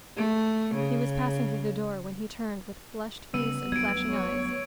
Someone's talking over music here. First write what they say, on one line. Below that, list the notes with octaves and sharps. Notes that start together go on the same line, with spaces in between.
He was passing through the door, when he turned, with flushed face and flashing eyes.
A3
C#3
C#3 G3 B3 E6 D#7
D2 F#3 G3 G#6 D7
C#5